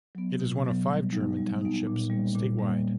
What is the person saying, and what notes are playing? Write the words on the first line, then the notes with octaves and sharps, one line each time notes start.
It is one of five German Townships statewide.
F#3 B3
B2
F#3 B3
G3
B3 D#4
G3
B3 D#4
A#2
G3 A#3
A#2
G3 A#3